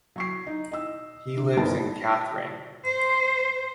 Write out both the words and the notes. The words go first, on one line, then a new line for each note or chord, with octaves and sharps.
He lives in Kathryn.
F#3 C#6 C7
D#4
D#5 E6
D3
G1 D#3 B3 A5
C5